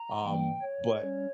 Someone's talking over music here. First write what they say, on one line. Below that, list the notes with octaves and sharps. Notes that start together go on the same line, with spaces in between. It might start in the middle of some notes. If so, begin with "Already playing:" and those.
Um, but
Already playing: A#5
E3 G3 A#3 G5
C#5
G3 C#4